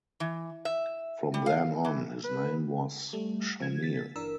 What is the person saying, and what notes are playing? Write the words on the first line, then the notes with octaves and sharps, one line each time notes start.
From then on his name was Shamil.
E3
E5
G3
F5
E3
B4
G3 A3
F3 G#6
A6 B6
G1 E3 D4 A#4 E6